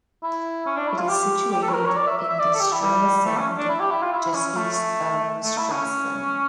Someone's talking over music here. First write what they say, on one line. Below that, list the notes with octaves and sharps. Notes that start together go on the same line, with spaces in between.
It is situated in the Strelasund just east of Stralsund.
E4
C#4
D4
E4
F4
G4
G4
A4
C#5
A#4
C#5
D5
E5
E5
E5
D5
A4
G4
E4
G3
A3
C#4
D4
E4
G4
E4
F4
E4
C#4
A3
A3
E4
C#4